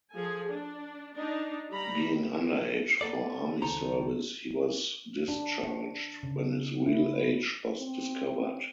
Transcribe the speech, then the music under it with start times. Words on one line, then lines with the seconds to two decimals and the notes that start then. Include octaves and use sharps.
Being underage for army service, he was discharged when his real age was discovered.
0.14 F3 G#4 A4 G#5
0.50 D4
1.15 D4 D#4
1.71 G3 A#5 B5
3.01 A#3 B3 A4 D5
3.62 C#2 D#3 A4 C5 A#5
5.28 D4
6.23 C#3
6.86 E4
7.79 C4